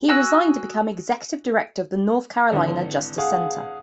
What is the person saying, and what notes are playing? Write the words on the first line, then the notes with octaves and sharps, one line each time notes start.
He resigned to become executive director of the North Carolina Justice Center.
F#4 G#4 E6 F#6
G#1 D3 E3
G#4 F5 F#5